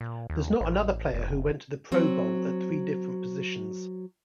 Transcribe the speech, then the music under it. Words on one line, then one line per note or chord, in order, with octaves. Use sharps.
There's not another player who went to the Pro Bowl at three different positions.
A#2
D#2
A1
F1
F#3 C4